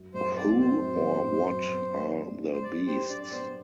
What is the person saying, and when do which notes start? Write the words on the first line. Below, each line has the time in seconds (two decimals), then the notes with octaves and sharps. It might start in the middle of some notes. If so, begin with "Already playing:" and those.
Who, or what are the 'beasts'?
Already playing: F#2
0.14 F#2 C5
0.36 C4 D5
0.59 C4 C5
0.81 F#2
1.05 F#2
1.27 F#2
1.50 F#2
1.72 B3
1.96 D4
2.18 D4
2.40 D4
2.53 C5
2.63 G3 D5
2.86 G4 C5
3.09 D4 D5
3.23 D5
3.31 B3 C5